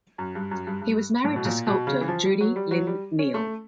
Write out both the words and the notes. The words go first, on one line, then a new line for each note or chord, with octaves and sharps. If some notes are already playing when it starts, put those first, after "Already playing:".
He was married to sculptor Judy Lynn Neal.
F#2
G2
F#2
G2
G2
A2
B2
A#2
B2
C#3
E3
F3
G3
F#3
G3
F#3
G3
C#4
A3